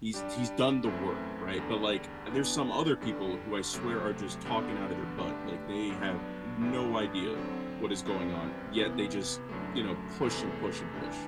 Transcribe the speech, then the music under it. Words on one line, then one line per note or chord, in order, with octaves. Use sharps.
he's he's done the work, right? But, like, eh, there's some other people who I swear are just talking out of their butt, like, they have no idea what is going on, yet they just, you know, push and push and push.
G3 D4 G4
F#2 E3 A3 C4 E4
E2 D3 G3
E3 B3 D4
G2 D3 G3
C3 F#3 A3 C4
G2 D3 G3 B3 D4
D3 A3 D4 G4 B4
G2 F#3 B3 D4
A2 E3 G3 D4
D3 F#3 C4
F#2 E3 G3 C4
C3 E3 B3 E4
F#2 D3 F#3 A3
E2 C3 E3 A3
E3 G3 D4